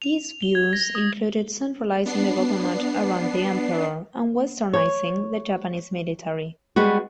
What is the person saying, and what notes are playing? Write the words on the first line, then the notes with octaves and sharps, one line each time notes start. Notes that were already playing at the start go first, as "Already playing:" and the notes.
These views included centralizing the government around the emperor, and Westernizing the Japanese military.
F7
G7
G#6
A#6
D#6
B3 D4 C7
C#5
G3 G#3 B3 F#4